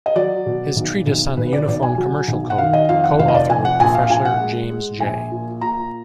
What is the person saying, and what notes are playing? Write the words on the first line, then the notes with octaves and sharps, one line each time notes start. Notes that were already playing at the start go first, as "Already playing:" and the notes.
His treatise on the Uniform Commercial Code, co-authored with Professor James J.
D#5
F#3 D5
B2
B1
B1
B1 B4
B4
D5
B1 D5
G#5
F#3
B1
F#5
D#3 F5
D#5
F2 F5
F#5
F1 F5
D#5
D5
F2 G#5
F#5
A#1 G#5
F5
A#1 G#5
F#5
G#3
G#3
A#1 G#5
A#2
A#2 A#5